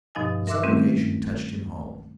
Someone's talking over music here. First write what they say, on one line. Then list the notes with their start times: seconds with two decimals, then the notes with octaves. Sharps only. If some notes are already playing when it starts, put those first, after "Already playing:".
The supplication touched him home.
0.15 G2 B2 F3 D#4 D#5 G#5
0.47 A#4 E5 C6 D6 E6 F#6
0.63 D#3 G3 A3 C4 C#4 E4